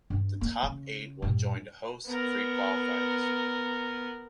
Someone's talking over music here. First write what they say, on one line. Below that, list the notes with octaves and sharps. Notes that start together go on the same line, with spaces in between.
The top eight will join the hosts and three qualifiers.
G2
A#3
C#3
G2 A#2
B3 A#4